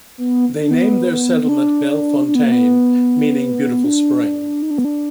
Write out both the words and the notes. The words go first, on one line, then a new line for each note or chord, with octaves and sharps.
They named their settlement Bellefontaine, meaning 'beautiful spring.
B3
D4
B3
B3
D4
D4
B3
A#3
B3
D4
D#4
D4
B3
D4